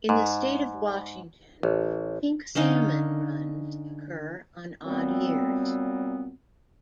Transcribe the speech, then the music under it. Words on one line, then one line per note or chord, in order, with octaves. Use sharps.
In the state of Washington, Pink salmon runs occur on odd years.
G#2
A1
D3 C#4 D#4 F5
A#2 F#3 G3 B3 C4